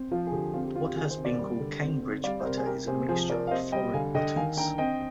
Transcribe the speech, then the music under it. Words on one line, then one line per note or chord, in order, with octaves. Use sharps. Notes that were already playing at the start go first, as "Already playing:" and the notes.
What has been called Cambridge butter is a mixture of foreign butters.
Already playing: C4
F3 F4
G#4
D3 G4
C4 F4
G4
C4 F4
G4
D#3 F4 G#4
G#4 C5
C3
A#4 D5
G3
D3
C4
C4
G3 D5 F5
C5
C3 A#4 D5
G#4
C3 G4 A#4
C3 G#4 C5
F3 G#4 C5
F3 A#4 D5
F5
C3 C5 D#5
G3 D#5 G5
D3 F5 G#5
D3 D#5 G5
D#3 F5 G#5
D4 G5 A#5
C4 D#5 G5